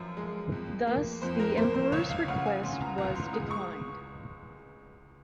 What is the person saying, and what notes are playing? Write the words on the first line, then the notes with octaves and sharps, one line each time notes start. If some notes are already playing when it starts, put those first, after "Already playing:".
Thus, the Emperor's request was declined.
Already playing: F#2 F3
G#3
F2
A#3
F2 C5
A#4
A#3 C5
C5
C#2 C#5
F5
C#3 F#5
G#5
C#3 C6
A#5
C#2 A#5
C6
G#3 D#6
C#6